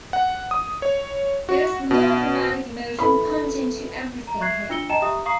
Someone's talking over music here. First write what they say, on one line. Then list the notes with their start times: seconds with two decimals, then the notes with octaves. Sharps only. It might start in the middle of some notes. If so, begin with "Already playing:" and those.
There's melodramatic emotion pumped into everything here.
0.13 F#5
0.51 D#6
0.82 C#5
1.49 F#4
1.91 B2
2.99 E4 A4 B4 B5
4.27 A#5
4.40 E5 C#6 F#6 G#6 C7
4.69 D4 F4 E6 C#7 G7
4.89 D#5 G5 A5 A#5 E7
5.02 G4 E5 A#5 D#6
5.25 F5 A#5 C#6 D#6 C7